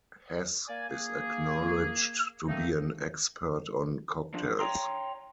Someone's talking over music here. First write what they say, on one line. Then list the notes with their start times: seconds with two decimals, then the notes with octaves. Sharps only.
Hess is acknowledged to be an expert on cocktails.
0.68 A#3 D5 G#5
0.89 A#3 G#4
2.48 A3 A#3 C4 D4 D#4
4.34 F3 D4
4.59 C#5 D5 G5 A#5 C6